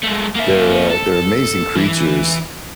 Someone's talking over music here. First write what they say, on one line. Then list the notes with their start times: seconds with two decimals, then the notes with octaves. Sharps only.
They're, uh, they're amazing creatures,
0.04 G#3 A3
0.36 A#3 E5
0.91 A4
1.77 E3